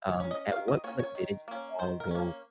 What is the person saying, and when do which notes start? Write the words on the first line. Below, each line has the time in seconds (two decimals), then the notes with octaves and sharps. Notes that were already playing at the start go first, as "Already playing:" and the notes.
um, at what point did it just all go
0.09 C#5
0.20 C#4
0.31 D#5
0.52 D#3 F5
0.68 D#5
0.84 A#3 C#4 C#5
0.99 C#5
1.15 D#3
1.48 A#3 C#4
1.79 D#3 C5
2.00 A#4
2.11 A#3 C#4